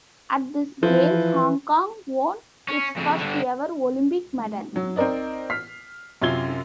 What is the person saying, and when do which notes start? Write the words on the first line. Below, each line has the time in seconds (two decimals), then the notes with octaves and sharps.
At these Games, Hong Kong won its first ever Olympic medal.
0.83 E3 F3
2.68 C#4
2.97 F2 C#3
3.20 G2 D3
4.76 F#3
4.96 C4 D#4 A#4 D5 D#5
5.50 F6 B6 C7
6.22 F#2 C3 C#4 F4 G#6 G7